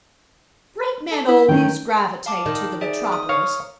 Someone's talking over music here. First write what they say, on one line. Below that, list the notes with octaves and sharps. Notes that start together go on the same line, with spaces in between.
Great men always gravitate to the metropolis.
A4
E4
D#3 C#4 G5
F5 A5 D6
D#3
G#4 D5 E5
D#6
C#5 F5